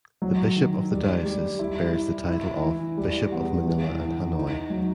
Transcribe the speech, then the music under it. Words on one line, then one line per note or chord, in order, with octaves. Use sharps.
The bishop of the diocese bears the title of "Bishop of Manila and Hanoi".
F#3
D#3
G3
G3
E4
E4
E4
E3
G3
E2
E3
E3
D#4
F#3